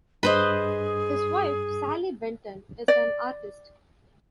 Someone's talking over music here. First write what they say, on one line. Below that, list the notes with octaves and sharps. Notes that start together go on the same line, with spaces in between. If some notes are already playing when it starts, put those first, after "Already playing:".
His wife, Sallie Benton, is an artist.
G2 G#4 B4 C5 D#5
D5